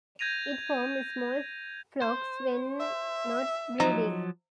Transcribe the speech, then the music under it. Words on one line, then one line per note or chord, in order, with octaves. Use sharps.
It forms small flocks when not breeding.
G6 G#6 A#6 D#7 F7
C5
E5
F3 F#3 D#4